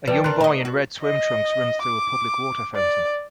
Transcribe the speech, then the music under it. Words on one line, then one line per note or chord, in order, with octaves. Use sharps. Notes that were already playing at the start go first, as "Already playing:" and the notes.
A young boy in red swim trunks runs through a public water fountain.
F3 B4 D5 G5
D4 A#4 C6 F#6
D#4 D#5
F#4
D#5
D6
D5